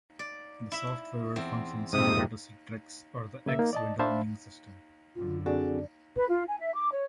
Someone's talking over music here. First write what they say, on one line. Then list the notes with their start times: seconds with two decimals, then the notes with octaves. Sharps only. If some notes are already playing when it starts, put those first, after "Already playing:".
This software would function similar to Citrix or the X Windowing system.
0.19 D5
0.72 E4 E5
1.36 E2 C4
1.93 F2 G#2 C3 D#6
3.46 C#3 A#3 E5
3.59 A#3 D#4
3.73 D5 D#5 A5
3.99 D4 C5 E5 F5 A5 B5
5.15 F#2 D3 F4
5.46 C4 D4 F#4 G#4 A4
6.16 B4
6.28 F4
6.47 G#5
6.60 E5
6.74 D6
6.91 C#5